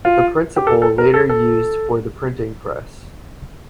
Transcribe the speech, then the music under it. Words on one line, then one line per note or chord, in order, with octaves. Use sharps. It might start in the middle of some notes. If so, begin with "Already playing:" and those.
The principle later used for the printing press.
F4
G4
A4
A4
A#4
A4
A4